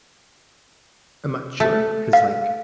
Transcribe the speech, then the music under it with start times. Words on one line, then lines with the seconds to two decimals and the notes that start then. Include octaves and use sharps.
I'm not sure 'cause, like
1.60 A3
2.13 F5